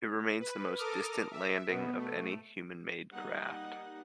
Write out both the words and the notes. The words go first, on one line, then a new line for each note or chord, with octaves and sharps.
It remains the most distant landing of any human-made craft.
B4
A4 A#4 D6 D#6 F6
E5
B2 B3
A3
G3 A#3 D#4 D#5 F#5